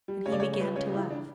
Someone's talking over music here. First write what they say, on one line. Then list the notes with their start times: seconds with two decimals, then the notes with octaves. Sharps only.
And he began to laugh.
0.08 G3
0.26 C#3 C#5
0.32 D5
0.40 C#5
0.42 C#3
0.54 C#5
0.60 C#2 B4
0.76 C#3 C#5
0.94 C#2 E4
1.10 D4